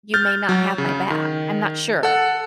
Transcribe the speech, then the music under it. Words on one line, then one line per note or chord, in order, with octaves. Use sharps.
you may not have my back. I'm not sure."
F6 G6 A6
F#3
C#3
D#3
A4 F#5